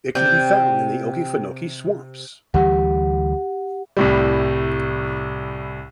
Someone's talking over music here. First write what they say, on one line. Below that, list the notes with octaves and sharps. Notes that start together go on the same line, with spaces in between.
It can be found in the Okefenokee swamps.
C3 D5 G5 G6
D2 E3 G3 G4 F#5
C2 A2 G3